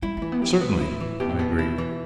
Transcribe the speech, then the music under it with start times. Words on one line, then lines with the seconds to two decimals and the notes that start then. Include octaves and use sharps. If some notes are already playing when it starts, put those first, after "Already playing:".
"Certainly!" I agreed.
0.02 G3 E4
0.17 E3 A3
0.32 B3
0.42 D3 G4
0.55 C3
0.61 B2 B3
0.81 E4
0.91 A2
1.00 E3
1.20 B2 G4
1.29 A2
1.39 B2 B3
1.59 E4
1.78 E3